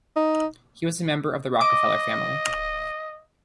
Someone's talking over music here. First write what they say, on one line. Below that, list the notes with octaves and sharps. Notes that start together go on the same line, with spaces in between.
He was a member of the Rockefeller family.
D#4
D#5 D6